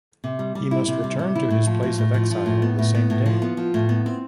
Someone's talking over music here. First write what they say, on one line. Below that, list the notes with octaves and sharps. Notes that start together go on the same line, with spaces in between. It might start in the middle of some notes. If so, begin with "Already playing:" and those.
He must return to his place of exile the same day.
C3
G3
G3
E4
C3
G3
C3
E4
A2
F3
A2
A2
F3
F3
A2
B3
A2
B3
A2
F3
B3
F3
A2
B3
C4